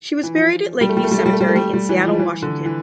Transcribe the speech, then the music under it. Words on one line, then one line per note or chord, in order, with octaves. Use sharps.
She was buried at Lake View Cemetery in Seattle, Washington.
E3
F3
G3
A3
G3
A3
G3
A3
G3
A3
G3
A3
G3
G3
E3
F3
E3
D3
E3